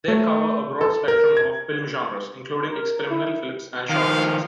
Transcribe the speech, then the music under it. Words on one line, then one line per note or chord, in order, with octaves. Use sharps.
They cover a broad spectrum of film genres, including experimental films and short films.
A3
A4
A#4
G#6
A#4
E4
D#3 F3 F5